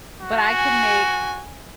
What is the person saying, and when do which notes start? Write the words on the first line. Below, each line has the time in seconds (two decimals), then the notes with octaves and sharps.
But I can make
0.21 F#4
0.55 G#5